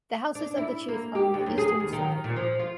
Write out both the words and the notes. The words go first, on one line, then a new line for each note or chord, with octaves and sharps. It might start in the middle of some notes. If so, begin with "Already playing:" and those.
The houses of the chief are on the eastern side.
D4
E4
A#3
G4
D2
F#2
G#4
D#2
D#3
A#2
F3
F4